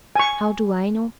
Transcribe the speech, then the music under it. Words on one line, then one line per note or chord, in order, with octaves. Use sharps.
How do I know?
G#5 C#6